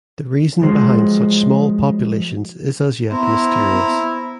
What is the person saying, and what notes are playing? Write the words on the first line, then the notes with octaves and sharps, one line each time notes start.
The reason behind such small populations is as yet mysterious.
F3 F#3 G#3 C5
B3 E4 C5 A#5